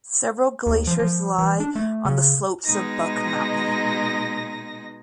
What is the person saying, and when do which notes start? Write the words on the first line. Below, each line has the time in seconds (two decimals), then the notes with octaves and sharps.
Several glaciers lie on the slopes of Buck Mountain.
0.66 D#2
0.87 F3
0.99 F3
1.38 E3
1.60 D4
1.75 A3
2.05 C#3
2.65 B2 G#3 D#4 A#6